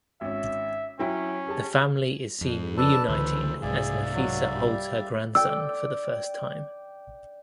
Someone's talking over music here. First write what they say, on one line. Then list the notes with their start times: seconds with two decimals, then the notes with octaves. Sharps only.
The family is seen reuniting as Nafisa holds her grandson for the first time.
0.21 G#1 C#4 E5
0.99 F#3 C#4 E4 G5
1.46 G4 G#4 A5
2.41 F2
2.77 D4 A4 B4 A5
3.08 C#2 D3 E3 A4 C5
3.62 C2 G#2 G#4 D5 E5 F5
4.15 F#3
4.55 G3
5.35 D5 G5 E6